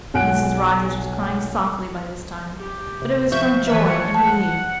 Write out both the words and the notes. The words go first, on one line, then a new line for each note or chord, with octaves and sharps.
Mrs. Rogers was crying softly by this time, but it was from joy and relief.
B1 F#5 G#5 F#6 D7
G4
C3
F3 F#3 E5 C#6 G6
E3 B4 C#5 E5 A5
F#5 A5